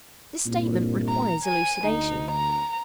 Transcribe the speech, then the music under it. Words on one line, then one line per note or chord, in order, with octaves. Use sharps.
This statement requires elucidation.
C2 G2 A#2
A#5
G#5 D#7
D2 D#4
A#5